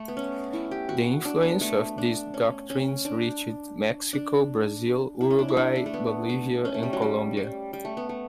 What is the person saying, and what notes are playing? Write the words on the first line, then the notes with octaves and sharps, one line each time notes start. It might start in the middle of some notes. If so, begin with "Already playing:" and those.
The influence of these doctrines reached Mexico, Brazil, Uruguay, Bolivia and Colombia.
Already playing: A3
B3
C#4
E4
G4
F#4
D4
B3
A3
D4
C#4
C#4
D4
D4
E4
C#4
D4
E4
D4
D4
A3
B3
A3
C#4
A3
G3
F#3
G3
G3
G3
A3
B3
A3